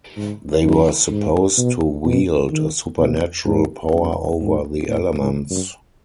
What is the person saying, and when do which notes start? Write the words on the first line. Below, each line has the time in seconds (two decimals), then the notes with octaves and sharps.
They were supposed to wield a supernatural power over the elements.
0.17 G#2
0.64 F#2
1.11 G#2
1.57 B2
2.05 B2
2.52 D#3
2.99 B2
3.46 G#2
3.94 F#2
4.41 G#2
4.88 A2
5.19 G#2
5.50 F#2